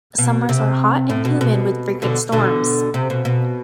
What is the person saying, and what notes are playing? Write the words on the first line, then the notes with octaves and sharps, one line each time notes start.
Summers are hot and humid with frequent storms.
B2
C3
A2
B2
B2
B2 D3
B2 D3
C3
B2
B2